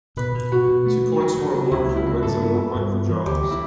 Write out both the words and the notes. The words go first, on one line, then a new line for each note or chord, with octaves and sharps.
Two points were awarded for wins and one point for draws.
B2 B4
B2
B2 F#4
B2
A3
A3
F#3
C#3
F#3
C#2 E4
C#3
E4
F#3
G2 A4
B3
G3
G2
B3
E3
D2 G4
F#3
E4